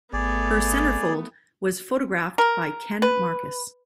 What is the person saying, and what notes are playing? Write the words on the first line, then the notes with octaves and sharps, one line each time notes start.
Her centerfold was photographed by Ken Marcus.
G#1 A3 B3 G#4 D5
A#4
B4